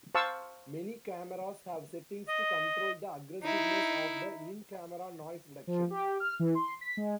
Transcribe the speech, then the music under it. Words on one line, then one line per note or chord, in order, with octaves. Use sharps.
Many cameras have settings to control the aggressiveness of the in-camera noise reduction.
C5 F5 A5 C#6 E6
D#5
D#4 E4
F3
G4
F6
E3
C6
B6
G#3